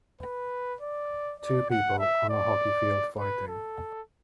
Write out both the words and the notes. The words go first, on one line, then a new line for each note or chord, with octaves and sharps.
Two people on a hockey field fighting.
B4
D5
D5
F#5
E5
D5
B4
A4